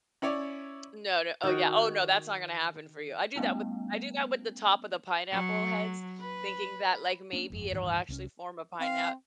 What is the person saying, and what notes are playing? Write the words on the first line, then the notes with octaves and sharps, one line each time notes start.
No, no oh yeah oh no, that's not gonna happen for you. I do that with I do that with the top of the pineapple heads, thinking that, like, maybe it'll actually form a pineapp
C#4 E4 C#5 D5
D#3 F#4
G3 A3 B3 C#4
F#3
B4
A#3 C#4 D4
G1 F2
D1 G2 D#3 E3
C2 A3 C#4
C4 F5